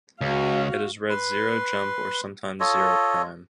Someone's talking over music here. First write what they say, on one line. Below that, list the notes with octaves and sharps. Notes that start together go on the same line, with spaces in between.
It is read "zero-jump" or sometimes "zero-prime".
C#2 F#4 F5
B4 C6
F4 A4 C#5 D#5